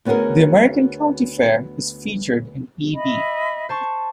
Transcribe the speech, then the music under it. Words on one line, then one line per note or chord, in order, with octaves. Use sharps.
The American county fair is featured in E. B.
D2 B3 C#4 F#4 G#4 A#4
D#5 E5 B5
C5 A5 C#6